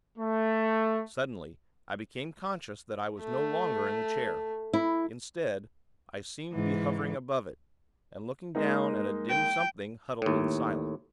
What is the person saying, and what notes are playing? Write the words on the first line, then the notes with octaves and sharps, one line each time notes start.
Suddenly, I became conscious that I was no longer in the chair. Instead, I seemed to be hovering above it, and looking down at a dim something, huddled and silent.
A3
A3
E4
G#2 E3
G#3 A#3 D#4
G5
D#2 A2